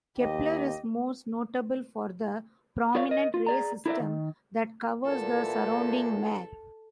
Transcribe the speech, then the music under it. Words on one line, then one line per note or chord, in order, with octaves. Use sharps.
Kepler is most notable for the prominent ray system that covers the surrounding mare.
D#2 G4 D#5
F4 A#4 C#5 D5 F5
A#4 D#5
F4
G#4 D5 A#5
E4 A4 A#4 C5 D5 E5
D#3
E2 A#2 A4